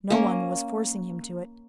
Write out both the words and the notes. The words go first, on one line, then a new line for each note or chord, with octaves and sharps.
No one was forcing him to it.
A#3 C#4